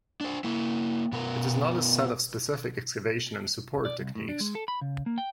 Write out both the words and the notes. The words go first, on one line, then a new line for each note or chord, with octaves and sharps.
It is not a set of specific excavation and support techniques.
D4 C5
A#3 E4
B2 B3 A#4
D5
C2
A2
D4
G#3
A4
B5
C#3
A#3
G5